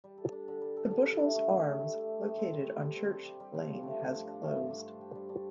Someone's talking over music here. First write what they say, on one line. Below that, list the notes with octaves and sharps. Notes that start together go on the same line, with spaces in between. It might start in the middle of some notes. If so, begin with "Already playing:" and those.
The "Bushells Arms" located on Church Lane has closed.
G3
A4
D4
D3
G3
A4
D4
D3
E4
A3
G4
A3
E4
A3
G4
A3
C4
G3
G4
G3
C4
G3
G4
G3
F3
D4
A3
G2
F3
D4
A3
G2
D4
C5
G4
G3
D4